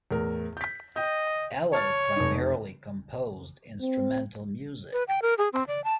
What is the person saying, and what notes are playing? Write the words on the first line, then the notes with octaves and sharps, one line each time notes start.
Eller primarily composed instrumental music.
E2 A2 A#4
G6 B6
D#5 G5 G6
C#5 A5 F6 A6
F1 D#4
C4
B4
G5
A#4
G#4
C4
D5
A5